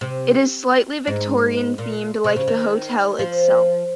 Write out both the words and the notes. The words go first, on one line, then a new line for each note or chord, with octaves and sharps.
It is slightly Victorian themed, like the hotel itself.
C3
G#2
A#2
C3
C#3
D#3
F3